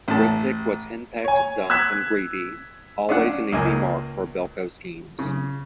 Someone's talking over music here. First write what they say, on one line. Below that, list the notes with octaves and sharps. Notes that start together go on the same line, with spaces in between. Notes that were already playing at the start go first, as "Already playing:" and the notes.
Ritzik was henpecked, dumb, and greedy, always an easy mark for Bilko's schemes.
A1 A3 A5
C#5 G#5
E6 F#6 G#6 B6
C#4 D4 F5 F#5
C#2 A#3 D#5 G#5
C#3